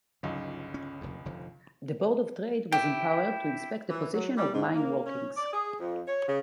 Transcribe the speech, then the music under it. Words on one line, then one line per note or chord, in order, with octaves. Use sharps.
The Board of Trade was empowered to inspect the position of mine workings.
G1 C#2 F#3 D#4
C#4
F1 D#2
F1 D3 F3
E4 G4 G5
E3
F#3
G3
G#2
A#3
C#4
D5
G#4
F2
C#5
C#3